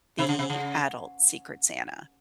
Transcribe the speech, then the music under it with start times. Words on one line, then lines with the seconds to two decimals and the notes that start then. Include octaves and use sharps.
the adult Secret Santa.
0.19 C3
0.29 C#3
0.39 C3
0.50 C#3